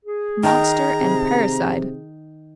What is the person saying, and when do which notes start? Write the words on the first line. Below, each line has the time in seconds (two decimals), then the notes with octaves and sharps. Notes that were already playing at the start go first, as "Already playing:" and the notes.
Monster and parricide!
0.05 G#4
0.43 D#3 A#5
1.01 C3